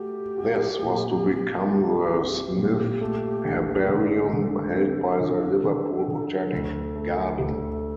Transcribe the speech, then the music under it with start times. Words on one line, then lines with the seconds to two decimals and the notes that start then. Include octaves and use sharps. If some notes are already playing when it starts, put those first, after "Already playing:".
This was to become the Smith Herbarium held by the Liverpool Botanic Garden.
Already playing: A3 F#4 G4
0.38 F#4
0.82 A#2
1.26 C4
1.70 F#4
2.13 C4 G4
2.56 A#2
3.01 A3
3.45 D3
3.89 D3 A4
4.33 D3
4.77 C4
5.20 D3
5.64 D3
6.08 D3
6.52 D2
6.96 A3
7.40 D2 A4